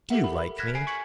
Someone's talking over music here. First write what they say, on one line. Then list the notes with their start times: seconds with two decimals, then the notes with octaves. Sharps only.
"Do you like me?"
0.10 G4 A4 A#4 E5 F#5
0.24 B5
0.38 B5
0.58 F6 F#6 G#6 A#6 B6 E7
0.75 G#5 G#6 C7 D7
0.87 C#6 G#6 B6 C#7 F#7